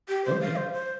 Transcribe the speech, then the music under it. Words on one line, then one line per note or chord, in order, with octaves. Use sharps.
Oh, yeah.
G4
C5
F5
C5
C5